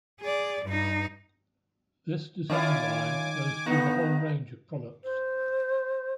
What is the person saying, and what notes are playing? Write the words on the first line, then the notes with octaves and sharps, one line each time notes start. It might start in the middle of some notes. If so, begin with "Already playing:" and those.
This design line goes through the whole range of products.
G#4 D5
G2 D#4
D#3 C#4 E4 F4 G#5 D6
G2 D3 B3 D#4
C5